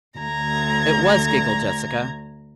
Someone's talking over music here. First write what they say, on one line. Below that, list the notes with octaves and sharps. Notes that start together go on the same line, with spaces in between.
"It was," giggled Jessica.
D2 A#5 G#6